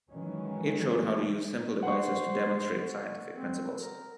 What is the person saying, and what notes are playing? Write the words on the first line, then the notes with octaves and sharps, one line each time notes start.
It showed how to use simple devices to demonstrate scientific principles.
D#3 E3 F#3 G#3 C#4
C5 F#5 C#6
C4
A#4